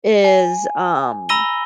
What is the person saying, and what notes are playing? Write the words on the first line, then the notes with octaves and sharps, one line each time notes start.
is, um
G#5
A#5 B5 E6 A#6 D#7 G7